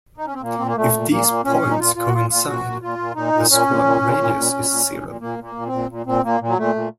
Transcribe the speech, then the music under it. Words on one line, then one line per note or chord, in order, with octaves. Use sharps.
If these points coincide, the scrub radius is zero.
D#4
C#4
C4
A#2 A#3
A#2 C4
A#3
A#2 A3
A#2
A#2 A#3
A#2
A#2 C#4
A#2
D#4
A#2 F4
A#2 F4
F#4
A#2 F4
A#2 F4
A#2 F#4
A#2
A#2 F4
A#2
A#2 D#4
A#2
A#2 C#4
A#2
A#2
A#2
A#2
A#2
A#2
A#2
A#2
A#2
A#2 A#3
A#2 A#3
A#2
C4
A#2
A#2
A#2 C4
A#2 A#3
A#2
F#3
A#2 A3
A#2